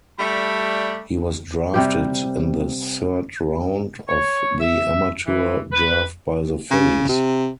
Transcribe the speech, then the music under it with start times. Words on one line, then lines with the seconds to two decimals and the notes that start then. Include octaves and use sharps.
He was drafted in the third round of the amateur draft by the Phillies.
0.19 G3 A3 D4 B5
1.74 C3 G3 G4
4.09 C#5
4.60 E5
5.26 E3
5.72 B4
6.71 C#3
7.09 C3